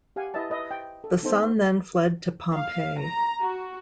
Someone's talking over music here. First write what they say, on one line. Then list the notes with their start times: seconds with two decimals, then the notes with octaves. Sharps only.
The son then fled to Pompey.
0.16 G4 F5 F#5 G#5
0.34 E4 B4 D#5 E5 A5
0.50 B4 D#5 E5
0.71 G5
1.04 A4
1.23 B3 C4 D#4 A4 C5
2.54 F5
3.00 A#5
3.41 F#4